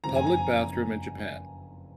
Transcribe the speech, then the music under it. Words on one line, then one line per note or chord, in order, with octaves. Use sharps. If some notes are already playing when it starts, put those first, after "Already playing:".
public bathroom in Japan.
F#1 F2 F3 G#3 A#5
G#5
A#5